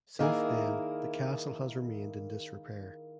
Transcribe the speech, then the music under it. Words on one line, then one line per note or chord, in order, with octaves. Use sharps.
Since then the castle has remained in disrepair.
D#3 A#3 E4 G#4